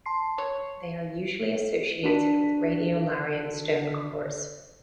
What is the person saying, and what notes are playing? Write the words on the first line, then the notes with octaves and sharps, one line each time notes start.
They are usually associated with radiolarian stone cores.
A5 C6 C7
C#5
D4 F#4 B6 D#7